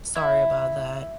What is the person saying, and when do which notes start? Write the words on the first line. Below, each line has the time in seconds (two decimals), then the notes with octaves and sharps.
Sorry about that.
0.16 E4